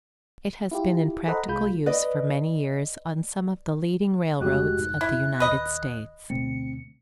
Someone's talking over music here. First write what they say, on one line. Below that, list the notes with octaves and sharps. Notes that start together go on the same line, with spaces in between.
It has been in practical use for many years on some of the leading railroads of the United States.
E4 F4 G4
A4 C5 D#5 F#5 A#5 B5
C2 G#3 F4 B5 G6
B4 D5 D#5
F1 F3 G#3 A3 F#4 G4 F#6
G#2
E4 G#6
D#1 B4 D#5
D2 B2 A3 C4 C#7